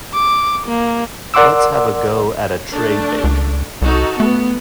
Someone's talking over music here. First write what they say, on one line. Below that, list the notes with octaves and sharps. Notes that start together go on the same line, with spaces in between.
Let's have a go at a tray bake.
D6
A#3
A#4 D5 F#5 C6 D6 E6
A3 D4
C#2
C2 D#4 F#4 A4
A3 B3